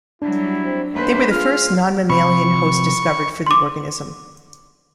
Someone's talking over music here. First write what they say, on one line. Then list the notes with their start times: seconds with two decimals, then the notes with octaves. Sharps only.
They were the first non-mammalian hosts discovered for the organism.
0.22 F#3 G3 D4 E4
0.65 C4
0.93 D#2 A3 A#3 B4 C5
1.31 F4 G#4 F6
2.10 C3 F3 B5 C#6
3.46 C6 D6